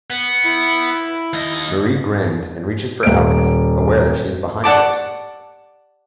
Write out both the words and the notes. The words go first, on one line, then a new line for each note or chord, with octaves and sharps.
Marie grins and reaches for Alex, aware that she is behind it.
B3
E4
D#2 D#5
D#1 D7
D5 F#5 A5 D6